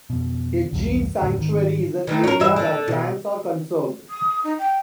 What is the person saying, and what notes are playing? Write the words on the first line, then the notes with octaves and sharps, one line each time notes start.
A gene sanctuary is an area where plants are conserved.
F2 B2
B1 E2 G2
E1 D2 A2 D3
G#2 D#3
D#3 E3 A3
C#4 A#4
G2 E3 E5
D3
B2
D#6
D#4
G5